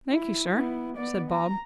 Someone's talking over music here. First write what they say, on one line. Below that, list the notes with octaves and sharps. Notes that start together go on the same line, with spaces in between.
'Thankee sir,' said Bob.
E4
B3 E4
B3 D5
A#5